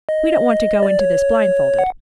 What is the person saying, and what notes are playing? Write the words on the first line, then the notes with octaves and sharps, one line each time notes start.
"We don't want to go into this blindfolded."
D#5
D5
C#5
F#5